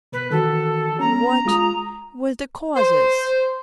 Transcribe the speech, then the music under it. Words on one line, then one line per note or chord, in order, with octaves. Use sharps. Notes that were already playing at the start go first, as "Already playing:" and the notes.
"What... were the causes?"
B2 B4
D#3 E3 F#4 A4
B3 C#4 A#5
G#3 F4 D#6
C5